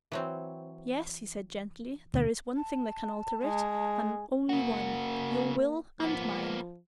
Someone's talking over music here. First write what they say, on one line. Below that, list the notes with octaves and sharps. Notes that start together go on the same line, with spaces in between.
"Yes," he said, gently, "there is one thing that can alter it, and only one--your will and mine."
E3 F#3 C4
D2 B2 D#3
A5
G#3
C#3 A#3 F#4
F3 A#3 B3